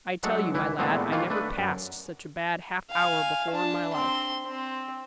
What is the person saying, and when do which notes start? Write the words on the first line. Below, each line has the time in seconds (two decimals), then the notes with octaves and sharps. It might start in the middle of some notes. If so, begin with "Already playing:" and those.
I tell you, my lad, I never passed such a bad half-hour before in my life.
0.23 F#3 G#3 A3 D4 A4
0.53 C#2 E3 E4
0.79 E2 A#2 G#3 A3 B3 C4
1.12 D#3 E3 A#3 F4 A4
1.30 A3 D4 B4
1.58 F#2
2.91 F5 G#5
3.51 D4 A5
3.93 C4 C6
4.48 C4